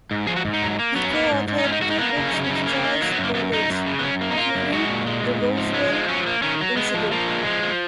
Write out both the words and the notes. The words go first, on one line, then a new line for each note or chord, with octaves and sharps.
He co-authored two books with Charles Berlitz, including "The Roswell Incident".
G#2
F3 G#4
F#4
G#2
D#4
F#3
A#3
F#3 B3
C#4
A#3 B3
G#2
G#2
D#4
G#2 C#4
D#4
G#2 F#4
D#4
A#3 B3
C#3
C#4
F#2 D#4
C#4
C#3
D#4
A#3 C#4
D#3
F#3 A#3
B3
F#2
A#3
F#2 B3
F#2 D#4
F#2
C#3
B3
F#2 C#4
A#3
D#4
A#3 F4
F#2
G#3 F#4
A#2
G#3
A#2
G#2
F3
G#3 B3
F3
F#3 C#4
A#3
D#3 C#4
F#3
G#3 B3
F3
F3 A#3
G#3
F3
F3